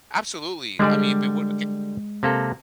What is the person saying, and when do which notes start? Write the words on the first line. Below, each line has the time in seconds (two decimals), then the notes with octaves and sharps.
Absolutely, I mean, but what okay.
0.79 D3 G3 G#3 D5
2.23 C3 A#3 A4